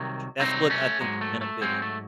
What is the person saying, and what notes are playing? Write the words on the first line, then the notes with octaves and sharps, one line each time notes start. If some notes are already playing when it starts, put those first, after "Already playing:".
that's what I think the benefit is.
Already playing: C2 C3 D#3 F#3
C2 C3 F#3 C4 D#4
A3 C#4
G#2 F#3 G#3
A3
A3
G#2 F#3 G#3 C4
A3